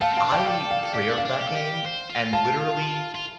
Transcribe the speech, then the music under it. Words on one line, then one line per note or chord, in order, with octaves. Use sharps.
I pre-ordered that game and literally,
A3 F5 A5
C4 F5 A5
D4
G4 D5 G5
A4 F5
F5
A4
G4 D5
D4
F5
D4
G4
A4
G4
C5
F4
F5 A5
F4